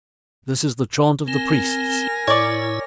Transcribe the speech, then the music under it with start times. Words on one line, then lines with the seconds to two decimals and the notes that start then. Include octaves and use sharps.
This is the chaunt of the Priests.
1.28 C4 A#4 G#5 A#6
2.27 A2 E4 C#5 D5